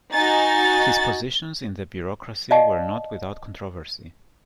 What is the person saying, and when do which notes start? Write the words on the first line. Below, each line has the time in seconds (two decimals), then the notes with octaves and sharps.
His positions in the bureaucracy were not without controversy.
0.14 D#4 F#4 G#5 A6
2.51 D5 D#5 F5 A5